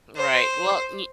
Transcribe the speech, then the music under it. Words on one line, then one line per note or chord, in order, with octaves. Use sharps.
right. Well, y
C5